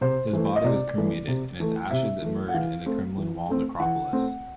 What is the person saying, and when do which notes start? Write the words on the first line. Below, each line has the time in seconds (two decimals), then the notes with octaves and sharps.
His body was cremated and his ashes immured in the Kremlin Wall Necropolis.
0.01 C3 C5
0.33 E3 A3
0.56 D#5
0.64 C3 D5
0.96 E3 A3
1.28 C3
1.60 E3 A3
1.90 C3 E5
2.22 E3 A3
2.49 F#5
2.54 E3 F5
2.86 A3 C4
3.18 E3
3.48 A3 C4
3.80 E3 F#5
4.12 A3 C4